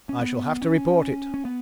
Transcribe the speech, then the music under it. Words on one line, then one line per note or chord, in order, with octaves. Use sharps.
"I shall have to report it."
C#4
B3
C#4
C#4
B3